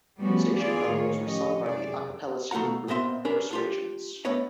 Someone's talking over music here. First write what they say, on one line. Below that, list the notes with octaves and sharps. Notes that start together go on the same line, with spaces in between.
Station promos were sung by the "a cappella" singing group The Persuasions.
F3 G3 A3 B3 C#4 F#4
E3 B3 C4 F4 G#4 D5
A2 D#3 C#5
F3 C#4 G4 D#5
F#2 C3 G#4 D5
B2 A3 F4 F#5 A#5
A#2 B3 C4 D#5 E5 C6
C#4 D4 A#4 B4
D4 F4 G4
A3 B3 D4 B4 C#5 D#5